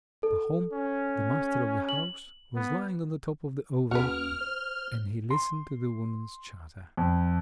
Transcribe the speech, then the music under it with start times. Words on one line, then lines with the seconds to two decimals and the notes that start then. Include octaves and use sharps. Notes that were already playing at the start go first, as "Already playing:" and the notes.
Pahom, the master of the house, was lying on the top of the oven, and he listened to the women's chatter.
0.23 A4
0.73 C#4
1.89 F#7
2.55 B3
3.91 D#2 A#3 C#4 F#4 B4 F6
4.41 C5
5.30 C6
6.97 F2